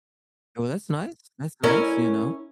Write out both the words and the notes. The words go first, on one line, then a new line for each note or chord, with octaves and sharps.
Well, that's nice that's nice, you know,
C#4 E4 A#4